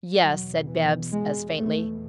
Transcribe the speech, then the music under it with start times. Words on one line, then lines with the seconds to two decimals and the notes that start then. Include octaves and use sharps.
"Yes," said Bibbs, as faintly.
0.23 E2 B2 F#3
0.68 E3
1.13 G#3
1.57 A3